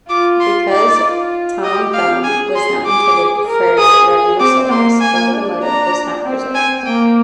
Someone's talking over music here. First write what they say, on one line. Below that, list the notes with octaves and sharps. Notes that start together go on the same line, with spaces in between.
Because "Tom Thumb" was not intended for revenue service, the locomotive was not preserved.
F4 D6
C6
D#4 D5
F4
G4 D#5
F5
G#4 G#5
C6
G#4 D6
A#4
G#4 D#6
C4 D6
A#3 C6
A#3 G#5
D4
A#5
C4
G#5
A#3 G5